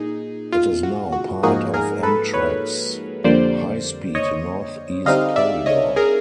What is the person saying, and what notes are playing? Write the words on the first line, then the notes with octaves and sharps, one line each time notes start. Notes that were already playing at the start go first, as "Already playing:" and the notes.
It is now part of Amtrak's high-speed Northeast Corridor.
Already playing: A#2 D#4 G#4
F4
F#4
F#4
G#2 F3 A#3 D#4 F#4 G#4
G#4 A#4
A4 B4
B4 C#5
F2 D3 G3 A#3 C5 D5
C#5 D#5
D3 G3 C4 D#4 D#5 F5
D5 E5
C#5 D#5
G#4 A#4